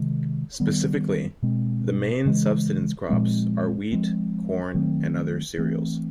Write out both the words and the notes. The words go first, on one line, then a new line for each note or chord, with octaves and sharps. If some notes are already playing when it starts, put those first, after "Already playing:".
Specifically, the main subsistence crops are wheat, corn and other cereals.
Already playing: C3 D#3 G#3
D#3 G3 B3
B2 G#3 C4
C#3 E3 G#3
A#2 F3 G#3 C4
F3 G#3 C4
D#3 F#3 A3 C4
E3 A3 C4